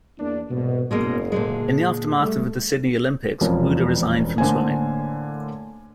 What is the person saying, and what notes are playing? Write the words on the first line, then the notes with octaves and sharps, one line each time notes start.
In the aftermath of the Sydney Olympics Wouda resigned from swimming.
E2 A#3 D4
C2 G#2 B2
F#1 B2 G#3 A#3
A#2 D3 G#3
G3 A3
E1 F2 F3 C#4 A#4
A2 D3 A#3 C5 D5 G#5